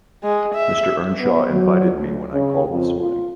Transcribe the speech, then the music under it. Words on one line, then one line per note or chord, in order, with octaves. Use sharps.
Mr. Earnshaw invited me, when I called this morning.
G#3
E5
B3
F#3
D2
C#3
F2
F4